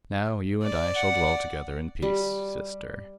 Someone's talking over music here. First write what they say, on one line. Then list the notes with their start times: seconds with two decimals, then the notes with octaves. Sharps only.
Now you and I shall dwell together in peace--sister.
0.63 D5
0.96 F#5
2.02 G3